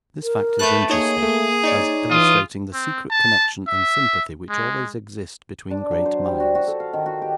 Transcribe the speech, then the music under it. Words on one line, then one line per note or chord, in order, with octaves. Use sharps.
This fact is interesting, as illustrating the secret connection and sympathy which always exist between great minds.
A#4
A3 B4 F#6 G6
A#3 D#4 G#4 C#5
A3
D#4 C#5 D5
E3 F4 D#6
C4
A5
E5
G#3
D4
F#3
C5
G3
F#4
F#4
A4
F5
D#3
F#4
G4